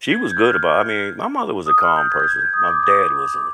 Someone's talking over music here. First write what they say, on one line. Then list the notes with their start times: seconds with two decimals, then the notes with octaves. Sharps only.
she was good about I mean, my mother was a calm person, my dad was a
0.11 G#6
0.31 G6
0.50 F6
1.66 D#6
1.81 F6
1.96 G6
2.10 G#6
2.20 G6
2.24 G#6
2.39 G6
2.53 D#6
2.68 D6
2.83 D#6
3.36 D6